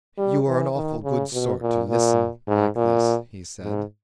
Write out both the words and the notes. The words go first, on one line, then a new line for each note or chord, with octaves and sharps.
"You are an awful good sort to listen like this," he said.
G3
E3
D#3
C#3
B2
A#2
A#2
G#2
A#2
G#2